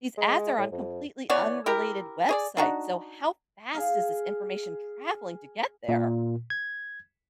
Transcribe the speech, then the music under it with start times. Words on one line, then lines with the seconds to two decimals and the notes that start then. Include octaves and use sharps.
these ads are on completely unrelated websites, so how fast is this information traveling to get there?
0.17 G#3
0.58 A2
0.72 F2
1.30 E3 B3 C#5 D5
1.66 E4 G4 A#4
2.29 G#4 C#5 D5
2.57 D4 D#4 F#4
3.75 G#4 F5
5.89 A#2
6.50 G#6